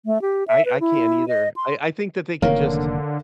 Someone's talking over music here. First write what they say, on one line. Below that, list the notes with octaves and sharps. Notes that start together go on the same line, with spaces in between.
I I can't either, I I think that they can just
A3
G4
E5
B4
E4
D#5
C6
F1 D3 D#3 A#3 A#4 C#5 F5